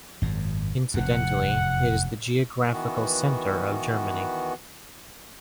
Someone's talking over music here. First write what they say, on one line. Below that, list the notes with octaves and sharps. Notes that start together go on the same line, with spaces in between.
Incidentally it is the geographical centre of Germany.
G#1 F#2
F1 E2 F#5
D#3 E3 B3 F#4